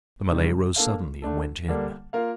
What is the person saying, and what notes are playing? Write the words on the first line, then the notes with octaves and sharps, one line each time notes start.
The Malay rose suddenly and went in.
C3 D#3 G3
A#3 D4 A4 D5 F5
D3 A3 D4 A4
D3 G3 A#3 D4
A#3 F4 A#4 F5